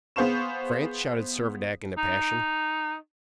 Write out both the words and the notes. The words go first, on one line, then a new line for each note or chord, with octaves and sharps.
"France!" shouted Servadac in a passion.
B3 G#4 C5 F5 C#6 E7
D#4